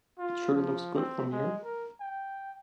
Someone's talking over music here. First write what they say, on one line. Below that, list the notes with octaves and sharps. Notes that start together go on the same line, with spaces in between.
It sure looks good from here.
F4
F3
C4
G#3
A#4
G5